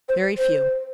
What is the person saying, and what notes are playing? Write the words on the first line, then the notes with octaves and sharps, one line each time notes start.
"Very few."
C5
C5